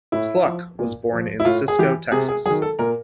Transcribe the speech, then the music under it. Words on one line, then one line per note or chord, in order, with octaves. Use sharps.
Cluck was born in Cisco, Texas.
A2 E4
F3
A#2
F3
E4
A2 F4
G#4
E3 G4
C3 G#4
G#4
D#3 F#3 G#4
A4
A#2 A#4